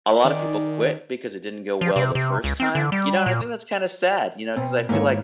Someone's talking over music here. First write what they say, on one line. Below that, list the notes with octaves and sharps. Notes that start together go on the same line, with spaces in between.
a lot of people quit because it didn't go well the first time. You know, and I think that's kinda sad, you know, 'cause I feel like
D#3 D5 G#5
F3
C3
C3
C#2
C4
D3
G3
A#2
B2 C4
G#2 D#3 A#3 E4 C#5